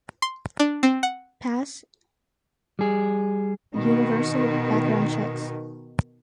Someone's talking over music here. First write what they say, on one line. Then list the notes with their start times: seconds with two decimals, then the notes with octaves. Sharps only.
Pass universal background checks.
0.22 C6
0.59 D4
0.83 C4
1.03 F#5
2.79 G3 G#4
3.76 B2 D#3